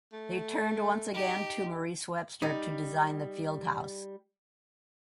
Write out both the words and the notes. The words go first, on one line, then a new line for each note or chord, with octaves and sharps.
They turned once again to Maurice Webster to design the field house.
A3
D#4 G4
G3 D#4